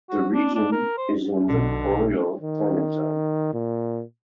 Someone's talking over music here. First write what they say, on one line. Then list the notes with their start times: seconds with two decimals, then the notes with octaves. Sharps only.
The region is in the boreal climate zone.
0.10 F#4
0.34 D4
0.55 D4
0.72 A#4
0.98 C5
1.48 B1 B2 D3
2.41 D#3
3.53 A#2